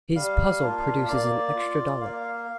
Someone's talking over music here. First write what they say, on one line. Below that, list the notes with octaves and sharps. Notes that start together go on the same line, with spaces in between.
His puzzle produces an extra dollar.
G3 F5
A#3 D4 F4
A#3 D5
F4
A#3 F5